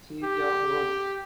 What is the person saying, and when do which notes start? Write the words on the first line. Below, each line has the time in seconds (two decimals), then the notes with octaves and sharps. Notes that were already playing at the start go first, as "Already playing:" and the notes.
Siege of Rhodes.
0.23 G4